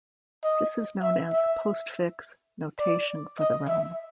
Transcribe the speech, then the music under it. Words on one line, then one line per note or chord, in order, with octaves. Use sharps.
This is known as "postfix" notation for the realm.
D#5
E5
E5
D5
D#5
E5